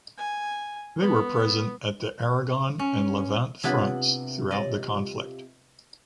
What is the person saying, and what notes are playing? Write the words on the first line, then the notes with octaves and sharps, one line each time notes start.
They were present at the Aragon and Levant fronts throughout the conflict.
G#5
B3
C#4
C3 B3 D4 E4 F4 F#7
D5 D#5